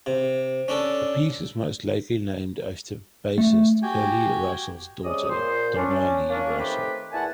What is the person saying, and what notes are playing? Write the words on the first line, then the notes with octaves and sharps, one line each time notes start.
The piece is most likely named after bassist Curly Russell's daughter, Donna Lee Russell.
C3
C#4 D4 A4
A3
F#4 G4 G5 G#5
C3 G#3 C#4 D5 D#6
A#2 C5
C#4 D4
A#3 C#4 D4
D#3 A3 C4 G4 B4
E2 A#2 E4 F#5 G#5 A5